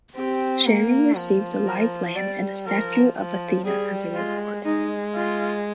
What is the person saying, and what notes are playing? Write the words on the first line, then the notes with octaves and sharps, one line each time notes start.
Sherring received a live lamb and a statue of Athena as a reward.
C4 G4
A#3
F3
A#4
G3 D5
F3 A#4
F3
G3 G#4
G#3 F4
G#3 D#4
F4